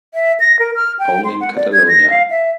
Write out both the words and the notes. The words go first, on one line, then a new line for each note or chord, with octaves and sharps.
Only in Catalonia.
E5
A#6
A#4
F6
G5
C6
F#5
D5
G#6
A#6
F5
E5